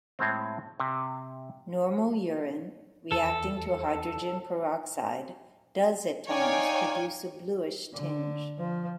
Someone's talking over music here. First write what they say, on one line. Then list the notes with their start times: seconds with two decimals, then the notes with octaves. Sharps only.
Normal urine reacting to hydrogen peroxide does at times produce a bluish tinge.
0.19 A2 G#3 C4
0.80 C3
3.12 E2 A4
6.29 D#4 C#5 D5 F5 G5 G#5
7.93 D3
8.59 F3